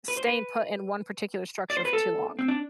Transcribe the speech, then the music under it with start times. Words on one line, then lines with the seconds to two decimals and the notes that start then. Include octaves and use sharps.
staying put in one particular structure for too long?
0.08 B4
0.17 C5
0.26 B4
1.70 D5
1.77 C5
1.85 B4
1.93 A4
2.39 C4
2.48 D4